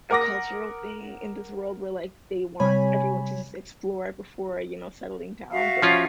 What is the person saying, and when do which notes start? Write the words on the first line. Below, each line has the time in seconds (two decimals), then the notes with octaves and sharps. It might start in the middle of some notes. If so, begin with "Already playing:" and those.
a cultural thing in this world where, like, they want everyone to just explore before, you know, settling down, but
0.11 A#4 F#5 D6 D#6 A#6
2.60 C3 G3 C#5 G#5 B5
5.51 F#4 E5 F5
5.82 F3 C#4 F4